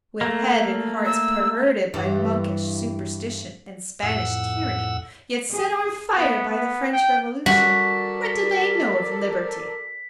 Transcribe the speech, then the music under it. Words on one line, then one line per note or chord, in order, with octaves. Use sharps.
With head and hearts perverted by monkish superstition and Spanish tyranny, yet set on fire by the French Revolution, what did they know of liberty!
A3 A#3
E6
G2 E3
F2 A2 F#5 E6
G#4
B3
B3
G5
G3 F#4 A4 A#4 D5 B6